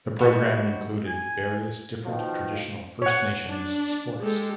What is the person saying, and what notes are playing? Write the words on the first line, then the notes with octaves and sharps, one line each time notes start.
The program included various different traditional First Nations sports.
G3 F#4 D#5
G#5
B2 D#3 F3
C#5 F#5
D4
G#3 G4 A4